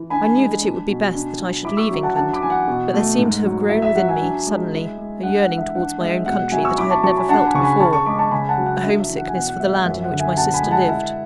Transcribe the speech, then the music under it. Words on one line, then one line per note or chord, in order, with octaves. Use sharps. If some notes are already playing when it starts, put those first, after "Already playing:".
I knew that it would be best that I should leave England; but there seemed to have grown within me, suddenly, a yearning towards my own country that I had never felt before--a home-sickness for the land in which my sister lived.
Already playing: E3
D4 G#5 B5
G#3
D4
B2
D4
F#3
E4 B5 D6
C#6 E6
F#3
F#5 A5
D4 F#5 A5
B5 D6
E3 G#5
F#5
B2
A3
G#2
F#3
E4 E5
E5
F#3 F#5
E5 G#5
D4
G#3
E4
G#3
D4 F#5
F#5
E3
E5
D4 F#5
G#3 E5
B2 F#5
F#3 E5 G#5
C#6 E6
E4 B5 D6
A5 C#6
F#3 A5 C#6
G#5 B5
D4 F#5 A5
G#5 B5
C#3 C#6
G#5 B5
C#3 A5 C#6
A5 C#6
G#3 B5 D6
A5 C#6
C#3 G#5 B5
F#5 A5
F#3
F#5
D4 E5
E5
E3
F#5
G#5
B2 F#5
F#5
G#3 E5
F#5
F#2 E5
F#5
D3
E5 G#5
B2 F#5 A5
G#5 B5
G#3
F#5 A5
E4